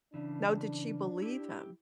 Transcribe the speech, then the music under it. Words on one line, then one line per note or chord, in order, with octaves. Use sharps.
No. Did she believe him?
C#3 E3 D4
E4 G4